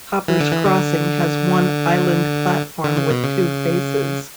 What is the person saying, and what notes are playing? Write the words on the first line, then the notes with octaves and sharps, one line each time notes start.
Hoppers Crossing has one island platform with two faces.
E3
D3
E3
D3
D3
C#3
B2
C#3